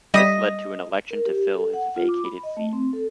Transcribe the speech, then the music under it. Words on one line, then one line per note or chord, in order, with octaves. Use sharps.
This led to an election to fill his vacated seat.
G3 D#5 D#6 B6
A#4
G4
A4
F#5
F4
D6
B5
D#5
A3
C4
A4